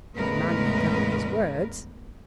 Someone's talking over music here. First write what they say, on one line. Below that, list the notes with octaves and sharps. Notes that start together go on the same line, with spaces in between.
"A man may govern his words."
E2 A2 C#3 G#3 A#4 B4